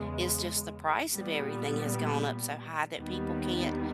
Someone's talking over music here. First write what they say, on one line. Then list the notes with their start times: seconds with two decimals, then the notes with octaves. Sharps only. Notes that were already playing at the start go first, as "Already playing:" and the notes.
it's just the price of everything has gone up so high that people can't
Already playing: E2 C#3 G#3
1.14 A#2 G3 B3
2.97 D#2 D#3 G3 B3